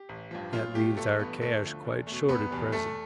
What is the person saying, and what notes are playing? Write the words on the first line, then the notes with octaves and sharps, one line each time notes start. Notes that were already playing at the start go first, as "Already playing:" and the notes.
That leaves our cash quite short at present.
Already playing: G4
A1
G2 F3
B1 F4
B2 A3 G4
A1 A3 A4
G2 E3 B3 B4
D2 A3 A4
D3 F3 A3
E2
A3
B2
F1 B3 B4
E2 B2 G3
E2 A3 A4